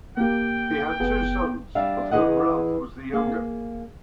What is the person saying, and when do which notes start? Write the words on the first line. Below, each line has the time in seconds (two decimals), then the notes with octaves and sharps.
He had two sons, of whom Ralph was the younger.
0.17 A#3 G4 G5
1.00 F#1 B3 G#4
1.75 G3 D4 E5 F5
2.11 E2 E3 G#4 B4 D#5 F#5
3.13 A#3 G#4 F5